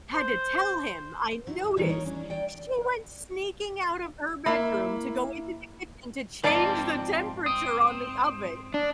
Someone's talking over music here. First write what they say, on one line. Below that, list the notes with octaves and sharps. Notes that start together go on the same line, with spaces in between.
had to tell him, I noticed she went sneaking out of her bedroom to go into the kitchen to change the temperature on the oven,
C5
F#3 E4
A2
A#2 D#3 E3 G3 A#3 C4
D#4 A#4 C#5
C#4 D4
D5 G5
A#3 E4 B5
G#2 F3 C4 D5 A5
C4 D#6
D4